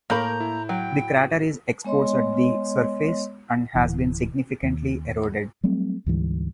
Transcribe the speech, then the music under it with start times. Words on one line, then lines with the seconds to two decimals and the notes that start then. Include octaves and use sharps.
The crater is exposed at the surface, and has been significantly eroded.
0.10 A2 A#3 A#4 A#5 B5 G6
0.40 E4
0.69 F#3 G5
1.85 G#3 B3 C#5 D#5 C6
3.75 D1 A#1 E3
4.63 D#2
5.64 F#3 G3 A3 C4
6.06 D2 G#2 E3 G3